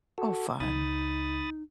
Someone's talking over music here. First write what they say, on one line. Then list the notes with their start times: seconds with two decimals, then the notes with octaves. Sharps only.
Oh, fun.
0.18 F#4 A4
0.60 C#2 D#4 B5 D#6 A6